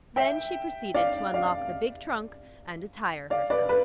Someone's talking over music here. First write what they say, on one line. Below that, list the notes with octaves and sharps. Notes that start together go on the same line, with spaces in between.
Then she proceeded to unlock the big trunk, and attire herself.
E5 G5
D5 F5
D5 F5
D5 F5
B4 D5
B4